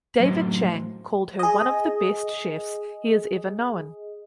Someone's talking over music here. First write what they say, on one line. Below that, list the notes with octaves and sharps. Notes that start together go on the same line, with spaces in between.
David Chang called her one of the best chefs he has ever known.
F#2 A2 F#3 C5 D#5 C6
G#4 D#5